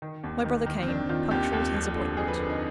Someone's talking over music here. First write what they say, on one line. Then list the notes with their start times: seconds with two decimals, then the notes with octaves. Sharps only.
My brother came, punctual to his appointment.
0.02 D#3
0.24 D#2
0.45 D#3
0.66 D#3
0.83 C4
0.88 D#3 D4
1.09 D#3 F4
1.31 D#2 G4
1.53 D#2
1.74 F2
1.95 D3
2.17 F2 G#4
2.28 B4
2.39 D3
2.50 D#4